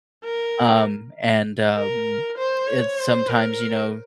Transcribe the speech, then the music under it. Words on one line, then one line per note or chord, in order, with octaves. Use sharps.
Um, and, um, it's sometimes, you know,
A#4
A#4
C5
C#5
C5
A#4